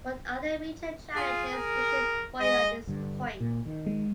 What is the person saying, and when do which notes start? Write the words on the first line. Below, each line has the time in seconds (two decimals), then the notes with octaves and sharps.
What are the major challenges waiting for you at this point?
1.16 F4 G#4
1.53 A#4
2.40 G#3 D#5
2.87 G2 D3
3.40 A#2
3.66 D#3
3.87 G#3